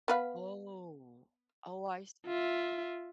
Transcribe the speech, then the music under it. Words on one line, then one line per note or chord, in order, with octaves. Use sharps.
Oh. Oh, I see.
B3 B4 F5
F4 E5